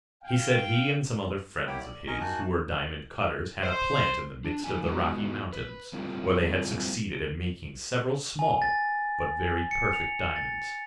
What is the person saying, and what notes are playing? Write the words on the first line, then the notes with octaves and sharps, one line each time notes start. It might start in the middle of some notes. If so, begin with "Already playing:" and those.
He said he and some other friends of his, who were diamond cutters, had a plant in the midst of the Rocky Mountains, where they had succeeded in making several small, but very perfect diamonds.
F5 G5
A#3 B3 E4 G4 C#5 G5
D5
A#4 D#5 G#5 A#5 C#6
A#3 D#4 F#4 G#5 A5 F#6
C5
D4
F3 D#4 G#5
G#3 B3 D#4 E4 F#4
B4
G3 A#3 C4 E4 F4
G#5
A6
C#7
F7
A6